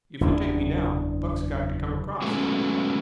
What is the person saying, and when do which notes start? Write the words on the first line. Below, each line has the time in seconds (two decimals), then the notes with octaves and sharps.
If you take me now, Buck's got to come across.
0.21 F#1 E2 C#4 D4
2.22 F#3 G#3 A3 B3 C#4